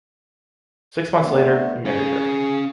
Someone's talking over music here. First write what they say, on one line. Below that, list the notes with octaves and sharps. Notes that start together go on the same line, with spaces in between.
Six months later, he married her.
D3 A3 B3
C#4 G#4 F5